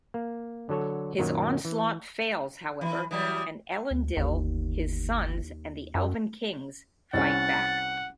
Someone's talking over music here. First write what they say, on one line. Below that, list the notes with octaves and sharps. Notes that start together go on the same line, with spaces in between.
His onslaught fails, however, and Elendil, his sons, and the Elven kings fight back.
A#3
D3 F#3 A4 C#5
F#2 A#2 D#3 F#3
E3
E3 B5
E3 F#3 G3 D#6
D2
G1 D#2
F#2
C2 C#4 F#5 A6